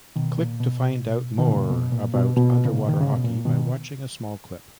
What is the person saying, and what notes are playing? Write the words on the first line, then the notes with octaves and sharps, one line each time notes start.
Click to find out more about Underwater Hockey by watching a small clip.
B2 D#3
A#2
B2
D#3
A#2 C#3
B2
A#2
B2
B2
A#2 C#3
D#3
C#3
B2
A#2
B2 D#3